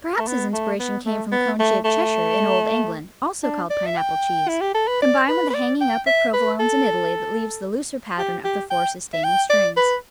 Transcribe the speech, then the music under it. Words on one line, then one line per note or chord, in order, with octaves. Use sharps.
Perhaps his inspiration came from cone-shaped Cheshire in old England, also called Pineapple cheese, combined with the hanging up of Provolones in Italy that leaves the looser pattern of the four sustaining strings.
A3
B3
A3
B3
A3
B3
A3
A3
D4
D5
E5
G5
E4
G4
A4
B4
D5
B4
B4
D5
G5
E5
B4
A4
G4
G4
G5
E5
G5
D5
B4